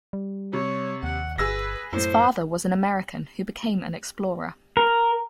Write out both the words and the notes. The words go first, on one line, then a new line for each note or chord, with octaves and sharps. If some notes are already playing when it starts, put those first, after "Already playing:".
His father was an American who became an explorer.
G3
C3 C#5
D#2 F#5
G1 G#4 B4 E6 A#6
F#2 A2 C5
A#4